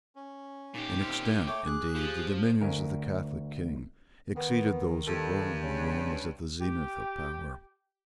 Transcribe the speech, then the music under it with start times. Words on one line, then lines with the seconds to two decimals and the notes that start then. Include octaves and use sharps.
In extent, indeed, the dominions of the Catholic King exceeded those of Rome when Rome was at the zenith of power.
0.16 C#4
0.74 A#2 D#4 G4
1.01 C4 D#4 F6
1.47 A3 C#5 G5 D6
1.66 G#4 F#6
1.95 F3 G4
2.61 D2 A#4 G#5
4.36 D#3 B3
5.08 G2 A4
5.63 C#3 C#4
6.60 G4